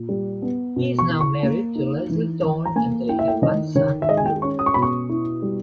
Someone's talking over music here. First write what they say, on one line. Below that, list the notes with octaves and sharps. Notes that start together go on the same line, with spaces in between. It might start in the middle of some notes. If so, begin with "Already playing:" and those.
He is now married to Lesley Thorne and they have one son, Luke.
Already playing: A#2
G3
B3
B2
C#6
E4
C#6
A#3
D#4
E3
E3
A#5
A#3 G#5
E4 G5
E5
G5
D#3 D#5
D#3 C#5
E5
G#3 D#5
G#5
G5
C#4 C#6
D#6
C#6
B2 B5
C#6
E4
G3